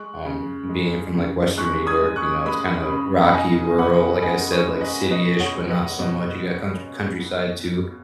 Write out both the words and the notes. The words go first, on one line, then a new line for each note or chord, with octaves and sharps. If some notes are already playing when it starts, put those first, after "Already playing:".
Um, being from, like, Western New York, you know, it's kinda rocky, rural like I said, like, city-ish, but not so much. You got country countryside too.
Already playing: G#3 C#6 F#6
C#3
G#3
C#3
G#3 C#6 F#6
D#6 G#6
G#3
C#6 F#6
G#3 B5 D#6
C#3
B5
B2 D#5 G#5
B2 F#5 B5
G#3 D#5 G#5
C#5
G#3
B4 D#5
B2 B4 D#5
C#5 F#5
G#3
B4 D#5
B2